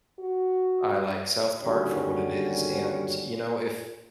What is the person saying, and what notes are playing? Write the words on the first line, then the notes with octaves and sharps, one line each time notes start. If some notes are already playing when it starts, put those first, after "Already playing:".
I like South Park for what it is, and you know, if
F#4
G#1 D#2 D3 G3 C#4 F#4